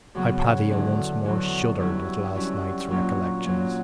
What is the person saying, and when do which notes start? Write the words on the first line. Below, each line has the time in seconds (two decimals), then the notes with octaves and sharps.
Hypatia once more shuddered at last night's recollections.
0.15 F#2 C#3 F#3 B3
0.69 E2 D3 F#3
1.24 E2 D3 F#3
1.80 G2 F#3 C#4 E4
2.35 G2 F#3 C#4 E4
2.89 A#2 F#3 C#4
3.44 A#2 F#3 C#4